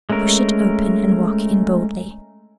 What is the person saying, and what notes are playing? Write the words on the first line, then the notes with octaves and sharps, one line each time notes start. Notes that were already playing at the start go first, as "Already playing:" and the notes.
Push it open and walk in boldly.
G#3 A3 C#4 A#4